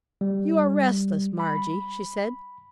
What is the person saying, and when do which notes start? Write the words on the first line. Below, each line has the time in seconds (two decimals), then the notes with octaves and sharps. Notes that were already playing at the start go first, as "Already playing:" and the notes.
"You are restless, Margie," she said.
0.21 G3
1.40 B5